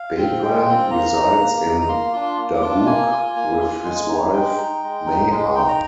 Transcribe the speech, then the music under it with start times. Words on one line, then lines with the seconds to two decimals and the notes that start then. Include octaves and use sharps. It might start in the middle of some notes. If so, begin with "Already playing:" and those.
Badran resides in Dabouq with his wife, Maha.
Already playing: F5
0.17 C4 F4
0.42 G#3 G5
0.66 C4 F4
0.91 A#3 A#5
1.15 D#4
1.40 A#3
1.64 D#4
1.81 A#5
1.88 A#3 C6
2.13 D4 F4
2.37 A#3
2.54 D6
2.62 D4 F4
2.86 A#3 G#5
3.11 F4
3.35 A#3
3.60 F4
3.84 G#3
4.08 D#4
4.33 G#3 G5
4.57 D#4
4.83 G#3
5.06 D#4
5.31 G#3
5.55 D#4 G5
5.68 A#5